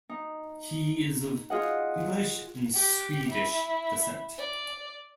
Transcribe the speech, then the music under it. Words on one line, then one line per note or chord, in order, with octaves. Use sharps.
He is of English and Swedish descent.
D#4
F4 G#4 D#5 F#5
G4
E4
D5